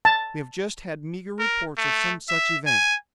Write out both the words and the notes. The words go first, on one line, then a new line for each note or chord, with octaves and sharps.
"We have just had meagre reports of some such event."
A5
A#4
A3
E5
G#5